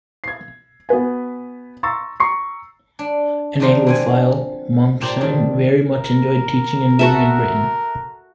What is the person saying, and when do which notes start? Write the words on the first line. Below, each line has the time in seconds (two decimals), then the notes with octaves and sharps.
An Anglophile, Mommsen very much enjoyed teaching and living in Britain.
0.24 G#6 C7
0.89 B3 F#4 B4 G#5
1.83 A#5 C6 C#6 E6 A6
2.20 A#5 C#6 C7
2.99 D4
3.60 D#3 F3 D4 F4 A#4 C5
3.87 D3 C4 G#5
5.01 A#2 G4 C5 A5 A#5
5.20 D#3 G3 D4
5.90 A#4
6.99 F#4 A4 E5